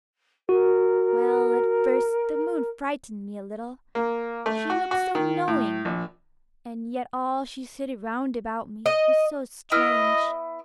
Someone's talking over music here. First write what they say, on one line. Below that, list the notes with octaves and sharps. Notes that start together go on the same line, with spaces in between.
Well, at first, the moon frightened me a little--she looked so knowing, and yet all she said round about me was so strange.
F#4 A#4
A#3
A3
F#4
F#4
D#3
A2
A#1
D#5
B3 E4 D#5 F6